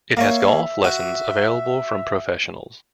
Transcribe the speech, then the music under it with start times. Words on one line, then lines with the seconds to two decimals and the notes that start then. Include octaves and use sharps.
It has golf lessons available from professionals.
0.17 A#3 C#5 E5
0.84 F#4